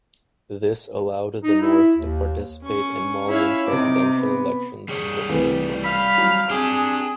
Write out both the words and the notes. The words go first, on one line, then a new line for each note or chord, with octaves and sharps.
This allowed the North to participate in Malian presidential elections the same month.
D#4
E4
D#2
C#4 C#6
C#4 E4 C#5 F5
C3 D#4 D6
B3
G3 G#4 C#5
C2 E3 A3
F5 B5
F#3
C4 D4 G4 G#4